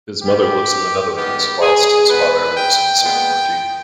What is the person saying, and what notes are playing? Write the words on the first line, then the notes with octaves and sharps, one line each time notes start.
His mother lives in the Netherlands whilst his father lives in Sint Maarten.
C#3 G3 B3 G4
G2 D#3 G#3 B3 G4
G#4
B2 G#3 B3 B4
G5
A#2 G#3 B3